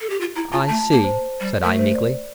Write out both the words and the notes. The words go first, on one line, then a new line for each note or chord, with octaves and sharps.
"I see," said I, meekly.
A4
G4
F4
E4 A#5
F4 A5
A3 A5
A5
A#3 A5
C5
G3
A3 A#4
C5
D5
D5